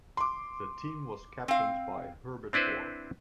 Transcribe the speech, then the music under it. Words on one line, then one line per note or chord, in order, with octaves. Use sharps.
The team was captained by Herbert Orr.
C6 D6
C4 F5
C4 D4 E4 B4 C5